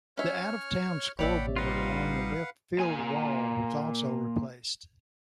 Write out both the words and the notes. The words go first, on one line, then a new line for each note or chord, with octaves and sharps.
The out-of-town scoreboard along the left field wall was also replaced.
C#4 C#5 E5 F6
A1 A#3 C#5 D5 E5 F#5 G5 B5
G3 D#4 F4 B4 F5 F#5
A#2 G#5